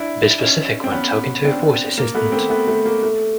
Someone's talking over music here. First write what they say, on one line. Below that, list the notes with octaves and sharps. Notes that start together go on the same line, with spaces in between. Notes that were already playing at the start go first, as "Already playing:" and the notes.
Be specific when talking to a voice assistant.
Already playing: D4 E4
C#4 D#4
C4
B3 C#4
C4 D4
A#3
A3 B3
A#3 C4
A3 B3
A3
A#3
A3